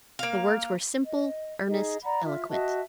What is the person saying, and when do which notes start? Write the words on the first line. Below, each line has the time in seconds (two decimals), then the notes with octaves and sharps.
The words were simple, earnest, eloquent.
0.19 A#3 F5
1.04 D#5
1.69 D#4 G#4 D#5
2.03 D5 F#5 A#5 B5
2.24 F4 E5
2.50 F#4 D#5 E5 A5